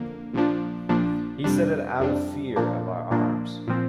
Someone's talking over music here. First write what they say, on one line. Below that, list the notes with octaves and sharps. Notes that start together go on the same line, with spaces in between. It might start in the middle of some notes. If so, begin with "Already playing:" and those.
He said it out of fear of our arms.
Already playing: F2 D3 A#3
A#1 A#2 F3 D4
A#1 A#2 F3 D4
F2 C3 G3 D4
F2 C3 G3 D4
A#2 F3 A#3 D4
A#2 F3 A#3 D4
A#2 F3 C4